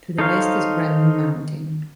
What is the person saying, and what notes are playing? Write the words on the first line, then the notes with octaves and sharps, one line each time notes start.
To the west is Brandon Mountain.
D#4 A4 C5 C#5 F5